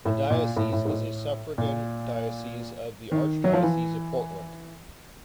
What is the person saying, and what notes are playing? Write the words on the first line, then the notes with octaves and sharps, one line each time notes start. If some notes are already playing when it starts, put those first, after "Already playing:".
The diocese is a suffragan diocese of the Archdiocese of Portland.
A2
A#2
A2
A2
G#2
A2
A#2
D#3
F#3
F3
E3